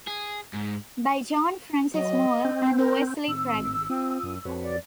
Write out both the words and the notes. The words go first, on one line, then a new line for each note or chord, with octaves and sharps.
By John Francis Moore and Wesley Craig.
G#4
G#2
F#3 D#5
C4
A#4
A2 D#3 C4 E6
G#1
C4 F4 D#6
F#2
F2 F#4 B4 C#5
D5